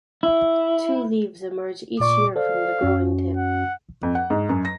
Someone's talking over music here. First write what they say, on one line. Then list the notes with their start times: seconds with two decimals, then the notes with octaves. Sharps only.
Two leaves emerge each year from the growing tip.
0.23 E4
2.00 A#2 D5 C#6 D6
2.36 A4 C5 D5 F5
2.81 F#2 C#4 F#4
3.37 F#5
4.03 F2
4.15 F#5
4.30 G#2
4.49 F#2
4.65 A#6